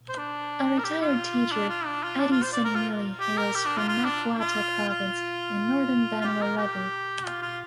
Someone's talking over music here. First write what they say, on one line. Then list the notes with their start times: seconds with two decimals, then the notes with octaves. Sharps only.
A retired teacher, Adi Senimili hails from Macuata Province in northern Vanua Levu.
0.09 C5
0.18 D4
0.79 A#4
0.84 G4
1.02 F4
1.52 D4
1.69 F4
1.86 D4
2.03 F4
2.19 D4
2.31 F4
2.42 C5
2.53 D5
2.65 A#4
2.75 F4
3.20 G4
3.37 A#4
3.55 G4
3.66 D4
3.78 F4
3.88 F4
4.05 D4
4.39 F4
4.89 F4
6.21 F4
6.24 G4
6.41 A#4
6.58 G4
7.26 F4
7.42 F4